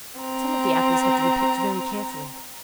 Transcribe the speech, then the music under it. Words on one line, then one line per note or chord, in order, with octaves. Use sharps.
Some of the apples had to be picked very carefully.
C4 A#5